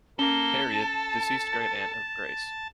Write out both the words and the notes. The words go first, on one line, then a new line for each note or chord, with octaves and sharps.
Harriet: Deceased great-aunt of Grace.
A#3 C#4 A4 G7
A5 A6